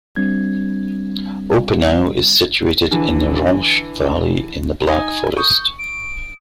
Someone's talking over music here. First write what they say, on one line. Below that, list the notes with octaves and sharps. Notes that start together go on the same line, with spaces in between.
Oppenau is situated in the Rench valley in the Black Forest.
G3 C4 D4 G#6
D3 E3
D#4 G#5
C#6 D#6 G6
D7